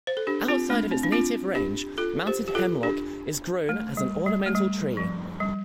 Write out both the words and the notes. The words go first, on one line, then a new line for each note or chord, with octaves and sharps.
Outside of its native range, mountain hemlock is grown as an ornamental tree.
C5
A4
D4 G4
C4 F4
A3 D4
C4
D4
C4 F4
D4 G4
F4 A4
G4 C5
G4
F4 A4
D4 G4
A3
G3
G3
A3
G3
F3
G3